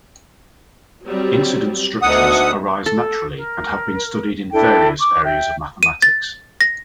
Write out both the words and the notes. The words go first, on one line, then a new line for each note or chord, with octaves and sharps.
Incidence structures arise naturally and have been studied in various areas of mathematics.
F#3 G3 C4
D2 B3 D#4 E5 F#5 D#6
A4
A#4
D4 E4 A4 G5
C#6 D6
E5 G5
D#7
A6
A#6